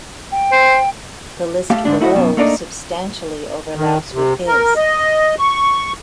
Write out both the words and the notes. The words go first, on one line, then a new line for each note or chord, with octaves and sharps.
The list below substantially overlaps with his.
G5
C5
A3 G4 F5
G#2 D3 D4
A3 E4 F#4 C#5 D#5
F#2 B2
A3 A#3 D4 D#4 D5
D#3
C3
A#4
D#5
C#6